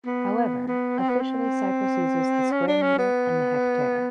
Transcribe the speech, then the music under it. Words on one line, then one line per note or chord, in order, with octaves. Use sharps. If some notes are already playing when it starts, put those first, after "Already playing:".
However, officially Cyprus uses the square metre and the hectare.
B3
B3
C4
B3
C4
C#4
D4
C#4
B3